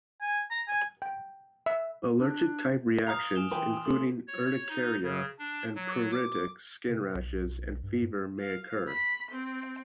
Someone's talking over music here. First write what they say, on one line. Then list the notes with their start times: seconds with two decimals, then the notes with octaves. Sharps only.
Allergic-type reactions, including urticaria, pruritic skin rashes, and fever, may occur.
0.21 G#5
0.51 A#5
0.68 G#5
1.02 G5
1.66 E5
2.20 D4
3.07 F5 A#5 D#6 F6 F7
3.35 G#5 E7 G7
3.51 E3 B4 G5 C6
3.85 C#3 A3 C6
4.27 C#5
4.69 D#4
5.03 C#3
5.39 D4
5.75 F#3
6.12 D6
6.89 C3
7.15 B1
7.83 G2
8.02 G2
8.39 F5
8.87 B5
9.30 C4